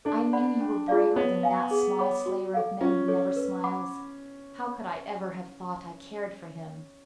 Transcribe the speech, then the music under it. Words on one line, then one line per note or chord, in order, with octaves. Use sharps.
"I knew you were braver than that small slayer of men who never smiles. How could I ever have thought I cared for him?"
D4 A4
D5 F#5 B5
D4
F4 G#4 D5 F5
B3 C#5
F5 G#5
G#4
C#5 F#5 B5 D6
F#4
A4 F5
C#4 F4
A4 C#5
B4
F#5 B5 D6